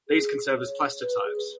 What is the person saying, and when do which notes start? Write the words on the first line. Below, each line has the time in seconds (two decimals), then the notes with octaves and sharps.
These can serve as plastotypes.
0.08 G#4
0.55 C#5
1.01 B4
1.25 G#4